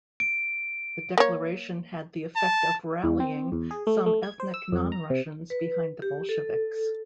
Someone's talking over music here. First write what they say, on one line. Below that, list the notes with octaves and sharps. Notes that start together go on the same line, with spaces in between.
The declaration had the effect of rallying some ethnic non-Russians behind the Bolsheviks.
D7
A#3 C#5
A5
E2
C4
E2
G#4
A3
A3
G#6
C5
E6
F2
A#5
C3
B4
G4
A4